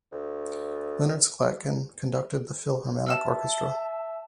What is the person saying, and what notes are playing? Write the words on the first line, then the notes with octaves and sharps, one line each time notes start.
Leonard Slatkin conducted the Philharmonic Orchestra.
D2
E5 A5 E6 F6 E7